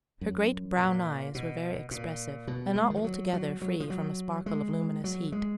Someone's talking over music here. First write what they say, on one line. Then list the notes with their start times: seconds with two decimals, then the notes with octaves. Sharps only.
Her great brown eyes were very expressive and not altogether free from a sparkle of luminous heat.
0.21 F#2
0.78 A#2
1.35 B2
1.91 A#2
2.47 B2
2.76 G#3
2.90 D#3
2.97 F3
3.04 F#3
3.33 F#3
3.62 F#3
3.80 F3
3.90 F#3
4.46 G#3
5.04 F#3
5.32 G#3